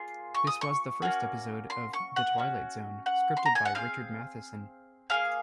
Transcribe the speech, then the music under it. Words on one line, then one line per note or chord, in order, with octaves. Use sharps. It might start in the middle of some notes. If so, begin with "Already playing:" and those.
This was the first episode of "The Twilight Zone" scripted by Richard Matheson.
Already playing: A#3 F4 G#4 C6
C#6
D#6
C#6
A#3 C#4 F#4
C6
C#6
F#5
C#4 F#4
F#5
C6
A#5
G#5
F#5
C4 D#4 G#4 F5
A#3 C#4 G#4 F5